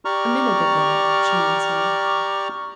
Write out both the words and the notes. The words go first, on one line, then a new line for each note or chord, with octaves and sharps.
"A minute ago," she answered.
G4 D5 A#5 C#6 F6